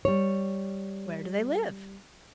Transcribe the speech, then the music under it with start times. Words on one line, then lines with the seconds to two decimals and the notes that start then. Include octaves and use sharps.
"Where do they live?"
0.05 G3 C#5